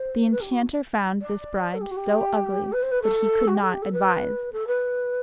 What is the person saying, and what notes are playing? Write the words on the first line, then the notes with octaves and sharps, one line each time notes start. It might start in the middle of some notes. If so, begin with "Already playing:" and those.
The enchanter found this bride so ugly that he could not advise.
Already playing: C5
B4
G4
F#4
D5
A4
G4
F#4
G4
B4
C5
B4
A4
F#4
G4
A4
G4
A4
B4
A4
B4